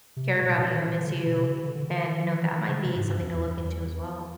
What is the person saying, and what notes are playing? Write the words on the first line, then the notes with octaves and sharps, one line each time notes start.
care about you, I miss you." And, you know, that might be something to look into as well.
C3
B2
A#2
D#3
E3
D3
C#3
B2
C3
C#3
D3
D3
D#3
D#3
F3
E3
D#3
C#3
C3
G#2
G2
F2
E2